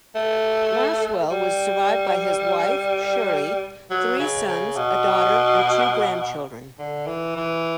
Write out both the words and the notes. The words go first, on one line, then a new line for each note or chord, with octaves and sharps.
Lasswell was survived by his wife, Shirley, three sons, a daughter and two grandchildren.
A3
G3
F#3
C#3
C#3
B2
D3
E3
E3